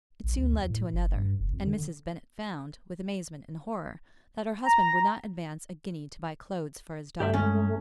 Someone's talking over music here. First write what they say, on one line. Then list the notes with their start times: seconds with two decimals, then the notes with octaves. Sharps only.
It soon led to another; and Mrs. Bennet found, with amazement and horror, that her husband would not advance a guinea to buy clothes for his daughter.
0.24 A#1
0.38 D2
0.53 E2
0.70 A2
0.93 F#1
1.15 G2
1.40 F1
1.53 F2
1.67 D3
4.65 A#5
7.20 G2 A3 G4 D5 E5
7.34 G#3 C#4